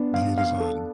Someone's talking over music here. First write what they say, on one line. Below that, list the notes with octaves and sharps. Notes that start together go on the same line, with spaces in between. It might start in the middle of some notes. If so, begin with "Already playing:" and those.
The Heat Is On.
Already playing: B3 D4
F5
F5
A4